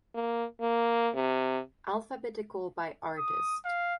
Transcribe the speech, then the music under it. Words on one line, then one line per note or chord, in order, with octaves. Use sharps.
Alphabetical by artist.
A#3
A#3
C3
D#6
F5